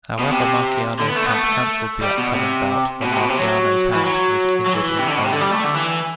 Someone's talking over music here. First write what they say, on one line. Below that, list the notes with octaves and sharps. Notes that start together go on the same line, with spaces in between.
However Marciano's camp cancelled the upcoming bout when Marciano's hand was injured in training.
B2
C3
D3
B3
A3
B3
A3
G3
B2
C3
B2
C3
B2
C3
F#3
E3
F#3
F#3
E3
C3
D3
B2
C3
D3
G3
A3
D3
E3